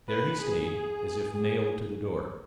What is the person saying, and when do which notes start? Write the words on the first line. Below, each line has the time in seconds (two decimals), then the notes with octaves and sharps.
There he stayed as if nailed to the door.
0.09 B4
0.41 G#4
1.35 G#4